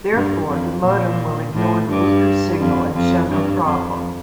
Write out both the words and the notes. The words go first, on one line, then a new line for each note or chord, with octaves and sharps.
Therefore, the modem will ignore the weaker signal and show no problem.
G2
F2
A#2
A2
G2
F2
F2
G2
F2